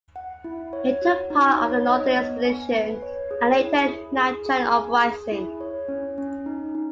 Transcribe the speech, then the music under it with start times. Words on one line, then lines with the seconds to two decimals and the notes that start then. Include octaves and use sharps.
He took part of the Northern Expedition and later the Nanchang Uprising.
0.16 F#5
0.44 E4
0.73 C#5
1.02 F#4
1.30 D#4
1.59 C#5
1.87 D#5
2.17 B3
2.45 G#5
2.74 B4
3.02 C#5
3.31 G#4
3.59 E4
3.88 G#4
4.17 G#4
4.46 G#4
4.74 G#5
5.03 G#4
5.32 E4
5.60 C#5
5.88 C#4
6.18 C#4
6.46 D#4
6.75 D#4